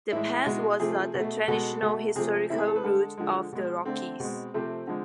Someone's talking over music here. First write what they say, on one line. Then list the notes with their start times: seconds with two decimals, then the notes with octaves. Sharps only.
The pass was not a traditional historical route of the Rockies.
0.12 A2 E3 G#3 E4
0.46 B2 G#3
0.80 C3 F3 A3 G#4
1.14 B2
1.19 A3
1.48 B2 G#3 A4
1.82 B2 A3
2.16 C3 F3 A3 G#4
2.50 C3 E3 A3 E4
2.58 G#4
2.68 A4
2.76 B4
2.84 D3 G#3 A4
3.18 D3 F3 G#3
3.52 B2 G#3
3.85 D3 A3 C4
4.20 B2 G#3
4.54 C3 F3 A3 C4
4.87 D3 F3 G#3